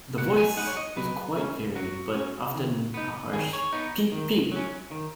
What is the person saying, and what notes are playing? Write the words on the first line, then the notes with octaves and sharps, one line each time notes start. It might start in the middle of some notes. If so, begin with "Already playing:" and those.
The voice is quite varied but often a harsh "peep-peep".
B2 F#5
G#5
B3 D#4 F#5
C#5
D#5
F#3 B4
C#4
F#3 F#4
C#4
D#3
B3 D#4
D#3 G#4
C#5
B3 D#4
D#3
F#3 C#4
D#3